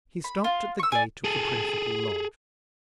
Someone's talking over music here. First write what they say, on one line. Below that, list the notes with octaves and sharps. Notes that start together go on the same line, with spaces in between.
He stopped at the gate of the principal lodge.
B5
F4
C#6 E6
D5 G#5
G#4 A4